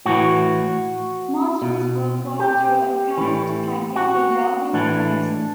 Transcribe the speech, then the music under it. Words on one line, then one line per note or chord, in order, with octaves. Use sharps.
Most of his work was through a private practice he held in Paris.
A2 E3 F#4
B2
G4
A2 E3
F#4
A2 E3 D4